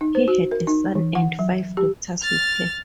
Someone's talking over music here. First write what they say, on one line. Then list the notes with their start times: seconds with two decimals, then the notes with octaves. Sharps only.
He had a son and five daughters with her.
0.01 D#4
0.15 C5
0.28 F#4
0.51 A#4
0.67 D#4
0.95 E3
1.15 F#5
1.39 F#3
1.77 G4
2.22 F6 A6